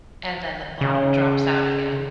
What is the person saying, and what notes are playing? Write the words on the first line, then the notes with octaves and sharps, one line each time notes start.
and then the bottom drops out again.
C#3